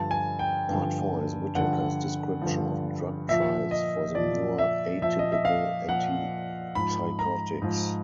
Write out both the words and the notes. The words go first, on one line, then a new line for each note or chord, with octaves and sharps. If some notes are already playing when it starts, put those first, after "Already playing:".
Part Four is Whitaker's description of drug trials for the newer atypical antipsychotics.
Already playing: G2 D3 F3 A5
G#5
G5
G2 D3 F3
G2 D3 F3 F#5
G2 D3 F3
A#2 F3 E5
D#5
A#2 F3 D5
E5
A#2 F3 E5
D#5
E5
F5
A#2 F3 F#5
G#2 F3 B5
A#5
G#2 F3